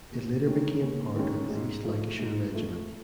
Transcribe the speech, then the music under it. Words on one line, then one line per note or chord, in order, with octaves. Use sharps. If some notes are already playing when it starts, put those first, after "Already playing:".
It later became part of the East Lancashire Regiment.
D#2
D#3 G#3 C#4
D#2
D#3 G#3 C#4
G#2
F3 A3
G#2
F3 A3